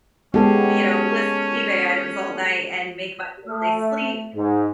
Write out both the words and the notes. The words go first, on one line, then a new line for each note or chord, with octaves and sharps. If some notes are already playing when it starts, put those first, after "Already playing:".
li know, list eBay items all night and make money while I sleep,
G#3 B3 C#4 G4 A4 C6
A3
G#2